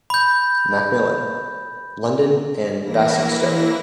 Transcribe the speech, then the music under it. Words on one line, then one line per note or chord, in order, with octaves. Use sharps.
Macmillan: London and Basingstoke.
B5 G6
E3 A#3 E4 A#6